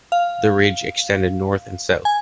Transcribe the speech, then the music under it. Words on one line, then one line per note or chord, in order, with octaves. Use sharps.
The ridge extended north and south.
F5
G#5